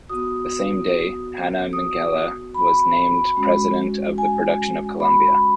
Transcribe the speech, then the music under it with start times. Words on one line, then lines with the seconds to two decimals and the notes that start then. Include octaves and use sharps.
The same day, Hanna Minghella was named president of production of Columbia.
0.09 B3 F#4 D#6
1.73 D#6
2.54 B5
3.36 G#3 C#4 F#4
4.18 G#5
5.00 B5